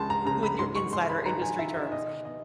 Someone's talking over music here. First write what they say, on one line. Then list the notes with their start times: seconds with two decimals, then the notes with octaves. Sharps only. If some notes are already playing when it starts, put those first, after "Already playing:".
With your insider industry terms.
Already playing: C#2 C#3 A5 C6
0.10 A#5
0.25 C#3 A#5
0.43 B5
0.59 G#2 C6
0.75 C#6
0.93 G#3 C6
1.09 B5
1.26 D#3 A#5
1.42 G#5
1.58 D#3 E5
1.76 D#5
1.92 B2 D#5
2.25 B3 D#5